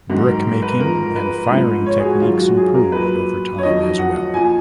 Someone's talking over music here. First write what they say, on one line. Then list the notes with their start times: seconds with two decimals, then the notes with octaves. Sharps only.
Brick making and firing techniques improved over time as well.
0.10 G#2 D#3 F#3 F#4
0.27 A#4
0.62 B4
0.80 G#2 F3 A#4
1.16 B4
1.51 G#2 F3
1.86 C#5
2.00 G#4
2.03 F#4
2.22 F#2 D#3 F#3 F4
2.39 F#4
2.57 G#4
2.74 A#4
2.92 A#2 F#3 B4
3.58 C#5
3.63 F2 D#3 F#3 D#5
3.98 F#5
4.34 A#2 F3 G#5